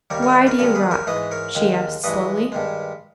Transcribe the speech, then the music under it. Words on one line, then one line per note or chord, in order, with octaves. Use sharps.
"Why do you rock?" she asked slowly.
D#2 D#3 G3 A#4 C#5
A#4 C#5
A#4 C#5
G2 D#3 G#3 A#4 C#5
G#4 B4
A#4 C#5
G#2 E3 G#3 B4 D#5
A#4 C#5
D#2 D#3 G#3
G2 E3 G#3 B4 D#5
G2 D#3 G#3